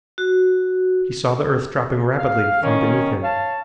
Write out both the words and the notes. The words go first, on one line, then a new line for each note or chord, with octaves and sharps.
He saw the earth dropping rapidly from beneath him.
F#4
F5
D#3 C#4
C#5 F5 A5